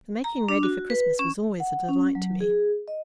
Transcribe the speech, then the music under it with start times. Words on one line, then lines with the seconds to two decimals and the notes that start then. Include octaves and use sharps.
The making ready for Christmas was always a delight to me.
0.24 A#5
0.49 D4
0.63 F#4
0.90 B4
1.19 C#4
1.60 F#5
1.89 C#4
2.15 F#3
2.40 G#4
2.88 D#5